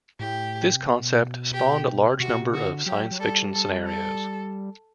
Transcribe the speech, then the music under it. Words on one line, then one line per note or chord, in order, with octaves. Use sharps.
This concept spawned a large number of science fiction scenarios.
A2 G4
C3
B2
G4
C3 F#4
B2
C3
D3 F#4
F#3 G4
F#3
G3 A4
A4
A4